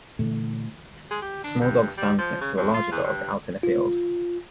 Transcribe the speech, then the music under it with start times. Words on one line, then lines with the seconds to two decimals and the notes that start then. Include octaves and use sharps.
A small dog stands next to a larger dog, out in a field.
0.19 A#2 D3 E3 A3
1.11 G#3
1.22 G4
1.43 D4
1.60 G2
1.97 G3
2.18 F3
2.41 C#3
2.57 F2
2.74 F4
2.92 E2
3.04 G2
3.63 F4